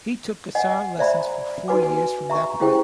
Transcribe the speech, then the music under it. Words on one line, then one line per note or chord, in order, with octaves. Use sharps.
He took guitar lessons for four years from that point.
D#5 F#5 G#5
C5 D5 E5 A#5 B5
D#4 F#4 B4 G#5 D6
G#5
E5 A#5 C#6
C#4 E4 G4 G#4 C5 G5